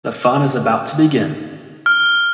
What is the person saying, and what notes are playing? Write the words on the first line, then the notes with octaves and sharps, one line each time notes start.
The fun is about to begin.
F6